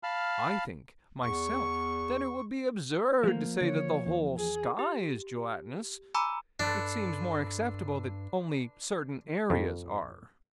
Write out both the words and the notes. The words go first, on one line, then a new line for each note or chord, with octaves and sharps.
I think, myself, that it would be absurd to say that the whole sky is gelatinous: it seems more acceptable that only certain areas are.
F5 A5 B5 F6
E2 C#6
F3 A3 A#3
D3 C#5
E2
G#4
G4
G#5 A#5 B5 D6 E6
G2 D4 A4 B4 C5
F2